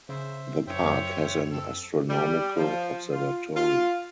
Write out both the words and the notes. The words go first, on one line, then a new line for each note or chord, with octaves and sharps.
The park has an astronomical observatory.
C#3 C5 E5
F#2 C5 C#5 E5 G5
F#2
C4 A4 E6
G3
F3
F4
F4